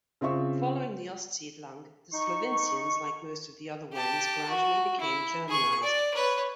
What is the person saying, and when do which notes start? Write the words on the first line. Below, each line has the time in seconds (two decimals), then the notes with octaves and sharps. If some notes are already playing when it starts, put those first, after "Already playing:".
Following the Ostsiedlung, the Slovincians like most of the other Wends gradually became Germanized.
0.21 C#3 C4 F4 E5 C#6
2.14 D#4 C#6
3.93 G4 A5
4.49 F#4
5.00 E4
5.49 G#4 C#6
5.83 D5
6.15 B4 C#5